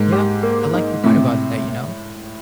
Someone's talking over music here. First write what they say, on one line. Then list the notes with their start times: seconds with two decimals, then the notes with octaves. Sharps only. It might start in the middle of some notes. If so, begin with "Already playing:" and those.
Yeah, I like your point about that, you know?
Already playing: G#2 A#3
0.12 G4
0.43 A#3
0.74 D#4
1.03 A2 C3